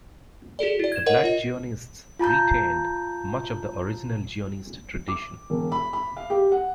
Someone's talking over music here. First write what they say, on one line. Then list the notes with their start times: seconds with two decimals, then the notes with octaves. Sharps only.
The black Zionists retained much of the original Zionist tradition.
0.59 F#4 G#4 A4 D5
0.79 E4 D5
0.92 G#6 E7
1.06 A#4 C#5 D#5 F#5
1.24 F4 D#5
2.19 F4 A5 A#5 G6
5.08 D6
5.50 E1
5.72 B5
5.93 B5
6.17 F5
6.30 G4
6.52 F#5